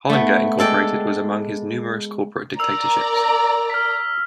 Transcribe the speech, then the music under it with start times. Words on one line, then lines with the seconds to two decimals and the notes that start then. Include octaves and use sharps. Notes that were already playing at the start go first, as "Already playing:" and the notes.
Hollinger Incorporated was among his numerous corporate directorships.
0.09 A3 B3
0.58 G#3 A4 D5 G5
2.59 A#4 D5 A#5 E6 F7
3.70 F6 B6